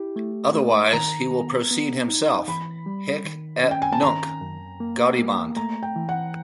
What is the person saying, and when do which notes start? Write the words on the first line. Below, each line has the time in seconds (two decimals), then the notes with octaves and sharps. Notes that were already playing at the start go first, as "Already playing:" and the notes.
Otherwise, he will proceed himself, hic et nunc..." "Gaudiband.
Already playing: E4 G4
0.16 A3
0.54 A3
0.93 D#3 A#5
1.31 B3
1.71 B3
2.09 D#4
2.48 E3 B5
2.86 G3
3.24 D#3
3.64 C#4
3.71 G5
3.82 G#5
3.92 A5
4.02 D#3 A#5
4.41 F#2
4.80 A#3
5.18 A#3
5.56 A3 A#5
5.83 G5
5.96 E3
6.09 F#5